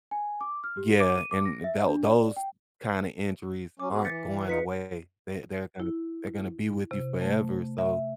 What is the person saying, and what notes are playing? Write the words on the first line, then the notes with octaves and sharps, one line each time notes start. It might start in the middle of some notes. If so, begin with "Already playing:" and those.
Yeah, and tha th those kind of injuries aren't going away, they they're gonna they're gonna be with you forever, so
G#5
D6
F6
G4
D6
D#7
D6
A#6
E5
D4
D5
G5
F#3 C#4 D6
B3 F#4 G#4
E3 A6 B6 C#7
D#4 F4 B4 B6 C#7
E4
C3
A3
E5